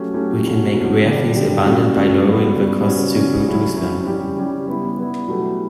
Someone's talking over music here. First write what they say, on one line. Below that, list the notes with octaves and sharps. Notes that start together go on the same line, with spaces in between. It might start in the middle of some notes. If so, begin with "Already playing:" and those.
We can make rare things abundant by lowering the costs to produce them.
Already playing: F#3 A3 C#4 G4
F#3 A3 C#4 G4
B2 A3 C#4 F#4
B2 A3 C#4 F#4
D3 G3 D4 G4
D3 G3 D4 G4
C#3 F#3 A3 C#4 F#4
C#3 F#3 A3 C#4 F#4
C#3 G3 B3 F#4
C#3 G3 B3 F#4
C#3 G3 C#4 F#4
C#3 G3 C#4 F#4
F#3 C#4 E4
F#3 C#4 E4
C#3 G3 C#4 G4
C#3 G3 C#4 G4
G3 B3 E4
G3 B3 E4
B2 F#3 A3 E4 G4